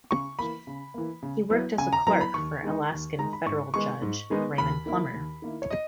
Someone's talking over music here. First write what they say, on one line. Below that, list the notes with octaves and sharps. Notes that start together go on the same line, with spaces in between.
He worked as a clerk for Alaskan federal Judge Raymond Plummer.
C#3 C#6
E3 A#3 B5
C#3
E3 A#3
C#3
F#3 B3 E4
C#3 G#5
A#5
F#3 B3 E4 A#5
B5
D#2 C#6
D#3 G#3 D#4
D#2
D#3 G#3 D#4 A#5
B5
G#2 C#6
D#3 G#3 B3 D#4 C#6
G#2
D#3 G#3 B3 D#4
D#2 B5
D#3 A#3 E4
D#2
D#3 A#3 E4
C#5
D#5